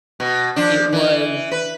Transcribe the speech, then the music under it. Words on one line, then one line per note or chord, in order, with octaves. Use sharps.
It was
B2
F3 D4
E3
B4